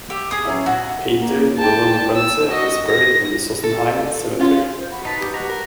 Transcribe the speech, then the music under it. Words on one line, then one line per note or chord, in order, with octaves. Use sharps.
Painter Wilhelm Runze is buried in the Sossenheim Cemetery.
G4 E5
G#4 D#6 C7
F#3 C#4 E4
B1 F#4
A#3
G5 A5
E6
F#4 D#5
A#6
A4
C#4 F4
C5
F#4 B5
D#4 B4 A5
G4
F#4 A#5 F#6
A#4